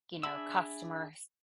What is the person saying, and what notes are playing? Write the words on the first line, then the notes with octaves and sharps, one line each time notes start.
you know, customer s
D4 G#4 E5 B5 E6